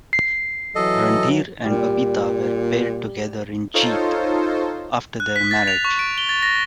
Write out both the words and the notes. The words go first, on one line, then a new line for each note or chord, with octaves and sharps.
Randhir and Babita were paired together in Jeet, after their marriage.
C7
E3 F#3 A4 D#5
A#2 G3
D#4 F4 A4 C5 C#5
F#6
B6
A6
F7
C#6
D7
G7
A6
A#6